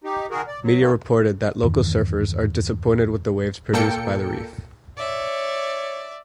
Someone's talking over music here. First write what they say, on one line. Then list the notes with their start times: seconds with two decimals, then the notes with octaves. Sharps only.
Media reported that local surfers are disappointed with the waves produced by the reef.
0.04 D#4 G4
0.31 D#3 F#4 G#4 A#4
0.47 D5
0.62 F#3
0.80 D#3 A#3
1.63 E2 G2 D#3 E3
3.73 A#2 A#3 A4 G5 C#7
4.97 C#5 D5 E5